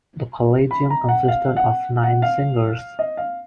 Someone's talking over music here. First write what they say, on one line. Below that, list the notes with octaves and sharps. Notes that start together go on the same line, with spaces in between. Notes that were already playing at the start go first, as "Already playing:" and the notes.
The Collegium consisted of nine singers.
B5
A#5
F#5
F5
F#5
F#5
F5
D#5
F5